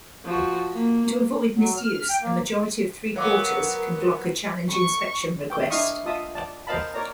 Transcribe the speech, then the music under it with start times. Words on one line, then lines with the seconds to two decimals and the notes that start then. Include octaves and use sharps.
To avoid misuse, a majority of three quarters can block a challenge inspection request.
0.25 F3 F#4
0.73 A#3
1.56 F#3
1.76 F6
2.09 G5
2.22 A#3
3.16 F#3 B3 A#4 C#5 F5 D6
4.69 C#6
5.50 G5
5.70 D4 E4 D#5 F5 C#6 D#6
6.06 F4 D#5 E5 A5 D#6
6.35 D5 A5
6.67 A#4 C5 D#5 F5 A5 B5
6.94 A#4 C#5 D5 A#5